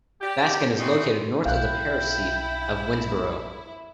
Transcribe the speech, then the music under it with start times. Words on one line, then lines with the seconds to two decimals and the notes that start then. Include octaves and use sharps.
Baskin is located north of the parish seat of Winnsboro.
0.22 G4 D5
0.78 C4 C#4 D#4 E4 F#4 B4
1.45 B1 E4 F5 G5 F#6